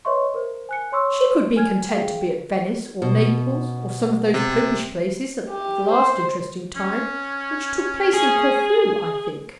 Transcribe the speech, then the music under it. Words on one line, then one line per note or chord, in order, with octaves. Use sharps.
'She could be content to be at Venice or Naples, or some of those Popish places, at the last "interesting time," which took place in Corfu, I think.
B4 C#5 D#5 E5 C6 C#6
A#4 C5
G#5 F#6 C#7
C#5 C6 C#6 E6
G#5 F6 G#6
G#4 F5 G5
B2
C3
G4
C5
C#4
G#4